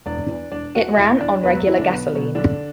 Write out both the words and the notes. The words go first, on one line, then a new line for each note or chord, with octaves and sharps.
It ran on regular gasoline.
E1 D4 D5
E2 E3
E1 D4 D5
E2 E3 F#4 F#5
E1 E4 E5
E2 E3 D4 D5
E1 B3 B4
F#3 F#4
E2 E3 E4
D3 D4
B1 B3
B2 F#3
B1 D3 D4